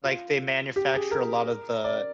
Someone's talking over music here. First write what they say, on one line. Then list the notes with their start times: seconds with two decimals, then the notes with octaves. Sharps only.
Like, they manufacture a lot of the
0.05 F4
0.76 G4
0.94 G#4
1.11 A#4
1.84 D5